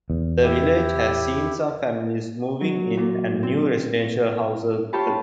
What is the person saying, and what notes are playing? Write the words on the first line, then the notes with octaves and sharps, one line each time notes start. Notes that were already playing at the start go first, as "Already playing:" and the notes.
The village has seen some families moving in and new residential houses built.
E2
E4 G4
F#3
A#2
C4
F4 G4 C5 C#5 A5 B5